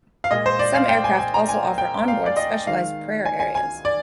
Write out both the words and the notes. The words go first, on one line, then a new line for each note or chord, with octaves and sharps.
Some aircraft also offer onboard specialized prayer areas.
F5
A#2 G#3 D#5
C5
D5
F5
G5
G#5
G#5
A#5
G#5
G5
F5
D5
D#5
D#3 G#3 F5
G#5
G#5
G#5
D5